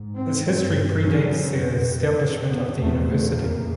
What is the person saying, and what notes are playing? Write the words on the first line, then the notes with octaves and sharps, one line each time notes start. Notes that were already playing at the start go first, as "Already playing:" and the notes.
Its history predates the establishment of the university.
Already playing: G#2
C4
G2
F#2 C#3 C#4
C4
F2 C#3
F2 C3
B3
E2 C3 A3
F2 C#3 A#3